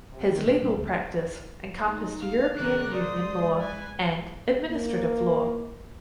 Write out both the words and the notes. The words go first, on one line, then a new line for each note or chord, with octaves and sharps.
His legal practice encompassed European Union law and administrative law.
C3
D#3
A#2
G3
D2
D#4
F5
C#3 E3 A#4 D5 F#6
G#3 C5 D5 D#6
B4 G#5
A#3